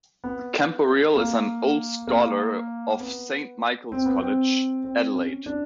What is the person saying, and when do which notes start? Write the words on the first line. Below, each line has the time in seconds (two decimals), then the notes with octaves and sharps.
Camporeale is an old scholar of Saint Michael's College, Adelaide.
0.24 B3
1.16 A#3
2.07 A#3
3.00 B3
3.92 C4
4.06 B3
4.18 C4
4.84 C4
5.16 C#4
5.46 D4